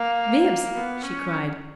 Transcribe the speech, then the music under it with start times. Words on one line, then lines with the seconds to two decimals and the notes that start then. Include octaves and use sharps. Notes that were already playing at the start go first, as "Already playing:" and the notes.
"Bibbs!" she cried.
Already playing: A#3
0.73 B3
1.02 C#4